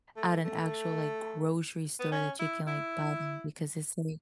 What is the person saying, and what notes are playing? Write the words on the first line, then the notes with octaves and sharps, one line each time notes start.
at an actual, like, grocery store that you can, like, buy them because it's like
A3
A3
B3
C#4
E4
E4